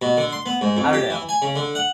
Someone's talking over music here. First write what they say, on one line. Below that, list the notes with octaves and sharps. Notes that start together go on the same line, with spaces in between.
I don't know.
B2
D3
C6
B3
G#2
F2
G4
E3
G#5
C#3
D3
F#5